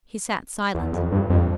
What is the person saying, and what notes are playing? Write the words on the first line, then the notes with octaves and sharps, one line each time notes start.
He sat silent.
E2
F2
G2
F2